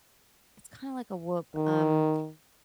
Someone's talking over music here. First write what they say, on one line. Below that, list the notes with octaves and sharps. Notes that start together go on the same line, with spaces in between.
It's kinda like a Whoop. Um,
D#3